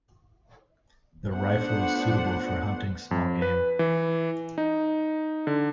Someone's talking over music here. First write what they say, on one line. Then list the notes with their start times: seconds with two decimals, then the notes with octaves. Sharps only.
This rifle is suitable for hunting small game.
1.33 A3 B3 D4 F4 C5 F#5
3.11 F2
3.42 B4
3.79 E3
4.58 D#4
5.47 D3